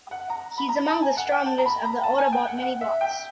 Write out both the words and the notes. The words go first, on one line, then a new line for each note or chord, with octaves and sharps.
He is among the strongest of the Autobot mini-bots.
F#5
A#5
B5
A#5
A5
G#5
F#5
G5
A5
A#5
B5
A#5
A5
G#5
G5
F#5
F#5
E5
G5